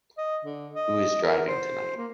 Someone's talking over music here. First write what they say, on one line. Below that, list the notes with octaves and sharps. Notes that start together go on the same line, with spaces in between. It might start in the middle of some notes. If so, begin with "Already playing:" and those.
Who is driving tonight?
D#5
D3
D#5
A#4
C5
A#3